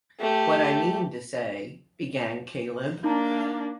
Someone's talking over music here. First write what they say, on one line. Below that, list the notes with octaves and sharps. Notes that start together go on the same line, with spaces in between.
"What I mean to say..." began Caleb.
A3 G4
A#3 D4 D#4 A5 A#5